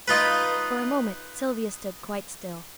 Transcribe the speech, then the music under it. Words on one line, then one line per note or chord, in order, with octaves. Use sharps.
For a moment Sylvia stood quite still.
D#4 F4 B4